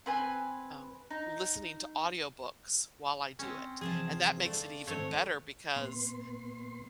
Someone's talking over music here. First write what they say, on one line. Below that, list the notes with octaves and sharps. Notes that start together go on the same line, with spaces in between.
um, listening to audiobooks while I do it, and that makes it even better because
C4 B4 G#5
D#4
C4 C#4
E2 C3 F3 G#4 A5
A3 D5 F5
G#2 D#3 A3 C4 C#5
A#2 B3 C6